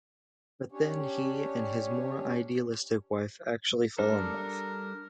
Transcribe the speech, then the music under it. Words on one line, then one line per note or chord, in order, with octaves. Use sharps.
But then he and his more idealistic wife actually fall in love.
C#4 D4 G4 C#5
G3 D4 A4 A#4